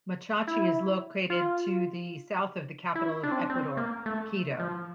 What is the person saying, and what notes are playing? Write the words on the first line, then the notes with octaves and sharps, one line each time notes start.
Machachi is located to the south of the capital of Ecuador, Quito.
E4
F4
E4
D4
C4
D4
C4
A#3
A3
F3